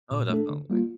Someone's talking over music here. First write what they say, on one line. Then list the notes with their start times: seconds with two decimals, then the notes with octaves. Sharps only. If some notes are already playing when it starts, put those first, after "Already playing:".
Oh, definitely.
0.11 A#2
0.30 A3 D4 A4
0.50 D3
0.70 G3 A#3 F4